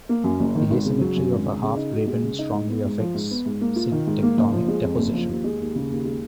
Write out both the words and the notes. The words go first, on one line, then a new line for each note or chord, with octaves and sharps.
The asymmetry of a half-graben strongly affects syntectonic deposition.
A#3
F#2
F#1
D#3
G#1
C#3
F#3
F#2
G#1
C#3
C#3
D#4
F#4
G#3
C#3
D#4
G#2
B3
G#2
F3
G#2
B3
G#2
A#3
F4
D#3
G#2
A#3
F#1
F3
G#3
F2
F#1
F3
D#2
G#3
D#2
C#3
D#2
G#3